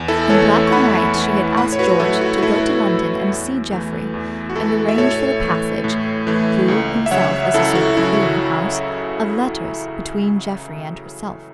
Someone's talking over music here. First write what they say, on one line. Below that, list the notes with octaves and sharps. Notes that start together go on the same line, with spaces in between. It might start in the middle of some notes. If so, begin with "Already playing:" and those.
In black and white she had asked George to go to London and see Geoffrey and arrange for the passage--through himself as a sort of clearing-house--of letters between Geoffrey and herself.
Already playing: E2
E4 A4
E3 A3 A4 C#5
C#6
E2 F#5 B5
E3 A3
A2 F#5 B5
C#5
F#4 B4
F#4
F#3 A3 E4 A4
F#4
F#4
A2 E4 A4
F#3 A3
E2
E3 A3
E2
F#4
E3 A3 E4 A4
E5
A2 A4 C#5
E3 A3
A2
E3 A3
C#2
E5
C#3 F#3 C#5 F#5
C#2 E4 A4
F#4
C#3 F#3 E4